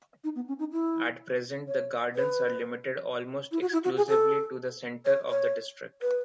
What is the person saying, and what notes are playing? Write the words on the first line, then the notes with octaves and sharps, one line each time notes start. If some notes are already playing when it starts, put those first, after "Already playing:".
At present, the gardens are limited almost exclusively to the center of the district.
D#4
B3
C#4
D#4
E4
C#5
B4
E4
F#4
E4
F#4
G#4
A4
C#5
C#5
B4